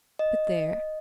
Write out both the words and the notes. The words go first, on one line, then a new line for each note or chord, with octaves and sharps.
But there!
D#5